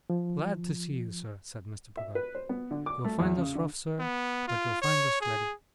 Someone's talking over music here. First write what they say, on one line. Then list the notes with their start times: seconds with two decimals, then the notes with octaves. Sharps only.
'Glad to see you, sir,' said Mr. Peggotty. 'You'll find us rough, sir, but you'll find us ready.'
0.10 F3
1.97 E5
2.15 B4
2.35 C5
2.49 B3
2.71 D3
2.86 D6
3.05 A3
3.20 E2
3.37 C#3
3.55 D3
4.00 B3
4.48 F4
4.81 C#5
5.21 G#4